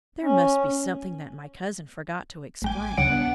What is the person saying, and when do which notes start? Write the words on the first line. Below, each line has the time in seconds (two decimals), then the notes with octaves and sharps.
There must be something that my cousin forgot to explain.
0.22 C#4
2.62 A1 G#3 G5 G#5 D6
2.98 D2 C#3 G3 B3 D4 F#5 D7